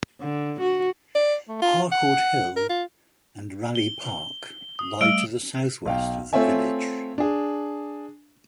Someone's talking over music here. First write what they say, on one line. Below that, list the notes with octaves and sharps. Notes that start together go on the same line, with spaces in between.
Harcourt Hill and Raleigh Park lie to the southwest of the village.
D3
F#4
D5
A3
F4
F#5
A#4
F4
G7
D#6
G3 A3 E6 D7 G7
B1 F5 G5
A3 C4 F4 C#5 E5 G#5
D4 G#4